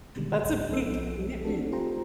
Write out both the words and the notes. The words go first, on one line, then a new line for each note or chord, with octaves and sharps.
That's a big commitment.
B2 D3 D#3 G3 G#3
G#1 D2 A2
B1 F3 B3 A4 B4 E6
B1 F3
A3 C4 D4 F#4 G4 A4
F4 G4 C5 G5 A#5